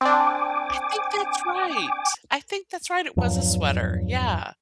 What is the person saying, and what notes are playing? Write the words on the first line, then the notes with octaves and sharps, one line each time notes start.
I think that's right, I think that's right, it was a sweater, yeah.
C4 D4 G5 G#5 D6
E2 G2 F3 F#3